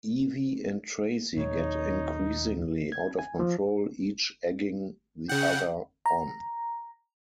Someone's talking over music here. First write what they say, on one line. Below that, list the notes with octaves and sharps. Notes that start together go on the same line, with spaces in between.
Evie and Tracy get increasingly out of control, each egging the other on.
D#2 A#2 F#3 D#4 C#5
G#6
G#5
F3
C#3 F#5 G5
A#5